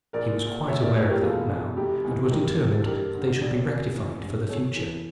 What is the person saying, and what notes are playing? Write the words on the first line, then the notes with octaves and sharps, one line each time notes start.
He was quite aware of that now, and was determined that they should be rectified for the future.
A#1 A#4 D5
A#2
A#1 C#5 E5
A#4 D5
A2 A4 C#5
G4 A#4
E1 F4 A4
E2
F1 G4
E2
G2 G4 A#4
E3
A4
G2 G4 A#4
D3
F2 D5
C#5
C#3 A#4 D5
A1
G2
E2 A4 C#5
E3